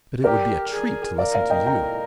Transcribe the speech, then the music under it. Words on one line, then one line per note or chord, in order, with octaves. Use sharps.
But it would be a treat to listen to you.
G4 A#4 D5
G#4
A#4 D5 F5
D5 F5
D#5 G5
G5 A#5